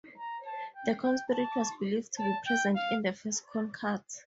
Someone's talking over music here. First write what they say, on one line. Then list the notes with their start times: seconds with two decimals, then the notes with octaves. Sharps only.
The corn spirit was believed to be present in the first corn cut.
0.18 A#5
0.46 A5
0.76 G5
1.03 G5
1.33 A5
2.18 A5
2.47 G5
2.75 F5